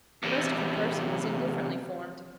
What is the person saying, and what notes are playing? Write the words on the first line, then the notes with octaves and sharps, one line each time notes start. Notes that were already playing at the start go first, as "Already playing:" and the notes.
The rest of her person was indifferently formed.
E2 C3